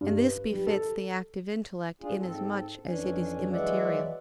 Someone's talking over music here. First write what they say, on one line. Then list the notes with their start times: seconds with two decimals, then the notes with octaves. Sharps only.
And this befits the active intellect inasmuch as it is immaterial.
0.01 G2
0.18 B4
0.52 G3
0.67 A4
2.02 D4 F4 G#4
2.20 G#2 C4 A4
2.87 F2 E3 C#4 D4 G#5
3.51 E3 F#3 G#3 D5 E5 F#5